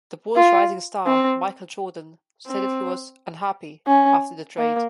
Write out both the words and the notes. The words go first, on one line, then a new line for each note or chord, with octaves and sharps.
The Bulls' rising star Michael Jordan stated he was "unhappy" after the trade.
F4
C4
C4
C#4
A#3